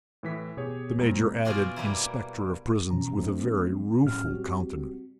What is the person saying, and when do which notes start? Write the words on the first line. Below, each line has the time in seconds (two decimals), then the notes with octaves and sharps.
The Major added "Inspector of Prisons," with a very rueful countenance.
0.23 A2 E3 B6
0.57 B2 G4 G#4 C#5
0.98 F2 B2 G#3 A#3 A#5
1.45 B2 F4 F#4 G#4 D5 C6
1.76 B2 G3 A#3 E4
2.91 F#2 B2 E3 C#4 A#5
3.17 F3 F#3 A3 C4 D4
4.04 A2 F#3 C#4 F6
4.28 G3 C4 F#4 G4